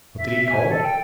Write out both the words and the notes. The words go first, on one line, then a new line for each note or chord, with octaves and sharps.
What did he call it?
E5
G#5
A4
G5